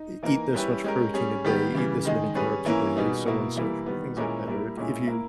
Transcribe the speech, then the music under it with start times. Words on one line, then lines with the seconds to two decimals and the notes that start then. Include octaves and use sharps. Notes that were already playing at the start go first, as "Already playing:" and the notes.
e eat this much protein a day, eat this many carbs a day, so on so forth," things like that, or if you
Already playing: D#4
0.23 E3 A#3 D#4 A#4
0.54 G3 C#4 E4 G4 B4
0.84 G#3 C#4 G4 A#4
1.14 G3 C#4 G#4
1.44 D#3 G3 B3 G4
1.74 C#3 E3 G3
2.05 D#3 G#3 D#4 G#4
2.35 G3 C#4 G#4 B4
2.65 E3 A#3 C#4 E4 A#4
2.96 B2 G3 B3 D#4 G#4
3.26 B2 A#3 E4
3.56 E3 G3 A#3 E4
3.86 D#3 G3 B3
4.17 A#2 G#3 C#4 E4 A#4
4.48 G3 A#3 E4 A#4
4.77 A#2 G#3 C#4 E4 G#4
5.08 A#3 E4 A#4